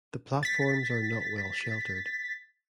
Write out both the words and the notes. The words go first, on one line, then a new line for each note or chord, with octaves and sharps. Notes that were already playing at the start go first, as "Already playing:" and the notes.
The platforms are not well sheltered.
A6 B6